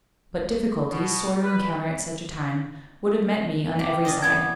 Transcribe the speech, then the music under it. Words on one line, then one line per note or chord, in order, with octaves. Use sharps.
But difficulties, sore to encounter at such a time, would have met me on every side.
B2
B4
G4
C#4 D4 D#5
E3 B3 D5 G#6